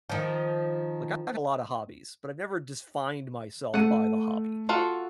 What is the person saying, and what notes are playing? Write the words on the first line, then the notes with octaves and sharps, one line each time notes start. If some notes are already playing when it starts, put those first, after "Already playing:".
Like, I have a lot of hobbies, but I've never defined myself by the hobby.
D#3 F3
A3 F#5 D#7
F4 F#4 A4